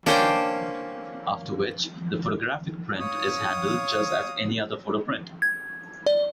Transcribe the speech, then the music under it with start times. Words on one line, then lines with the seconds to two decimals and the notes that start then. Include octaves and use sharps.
After which, the photographic print is handled just as any other photo-print.
0.06 A#3 C#4 D4 C5 G5
2.99 C#5 F5 D#6
5.42 G#6
6.06 D5